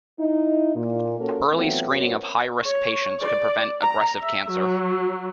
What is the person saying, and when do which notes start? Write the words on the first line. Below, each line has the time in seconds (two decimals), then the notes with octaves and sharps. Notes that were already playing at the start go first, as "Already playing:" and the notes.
Early screening of high-risk patients could prevent aggressive cancer.
0.18 D#4 E4
0.75 A#2
1.19 A#3 C#4 F#4 A4 A#4
1.52 E3 F#3 A3 B3 C4 F4
1.90 F#2 B3 F#4 A#4 C5 C#5
2.63 C#5
3.19 D5
3.81 A#5
4.20 E5
4.51 F#3